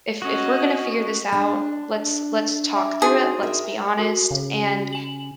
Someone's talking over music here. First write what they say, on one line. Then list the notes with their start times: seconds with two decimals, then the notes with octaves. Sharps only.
if if we're gonna figure this out, let's let's talk through it, let's be honest," and
0.22 C#4 F#4 D#5
1.32 D4
2.76 E5 G#5 D6
3.02 D#4 F#4 G#4 C6
3.43 A#4 E5
3.99 F#4
4.31 C#3
4.93 G#5 F#7